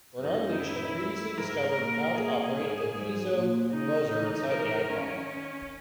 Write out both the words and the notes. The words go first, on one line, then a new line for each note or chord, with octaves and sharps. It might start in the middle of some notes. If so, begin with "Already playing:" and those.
Bernard Leach had previously discovered how to operate the piezo buzzer inside the iPod.
F#2 D#4
E4
G#2 A#4
A#2
G#4
G#2
G#2
A#2
C#3 D#4
E3
A#4
D#3 C#4